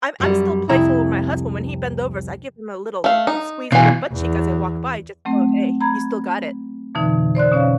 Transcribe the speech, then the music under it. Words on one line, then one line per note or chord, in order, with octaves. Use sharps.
I'm I'm still playful with my husband. When he bend overs, I give him a little squeeze on the butt cheek as I walk by just to go, "Hey, you still got it."
F#2 G3
C2 F2 E4 A#5
A3 F5
D#4
B2 E3 F4 G#5
E2
F#3 A3 C4
A#5 B5 G#6
F2 B2 D3 E3 D#4
C5 D5 C6 F#6
B2 C#4 C#5 F5